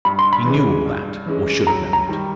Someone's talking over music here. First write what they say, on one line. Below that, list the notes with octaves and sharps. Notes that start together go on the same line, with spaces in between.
He knew all that, or should have known it.
G2 B5
C6
B5
E3 G#3 C#4
G2
E3 G#3 C#4
F#2 A#5
A#5
D#3 G3